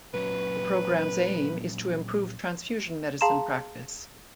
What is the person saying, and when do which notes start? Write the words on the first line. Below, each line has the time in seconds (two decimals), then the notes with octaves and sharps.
The programme's aim is to improve transfusion medicine practise.
0.14 A#2 F#3 C#4 B4
3.21 G#4 F5 A5 A#5 C6 E7